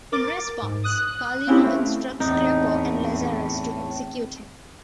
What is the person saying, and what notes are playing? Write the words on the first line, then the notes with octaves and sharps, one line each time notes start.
In response, Carlino instructs Klepper and Lazarus to execute him.
A#4 D6 A6
G#2
D#6 F#6
A#3 C4 C#4 E4 G4
A3
E2 A2 C4 D#4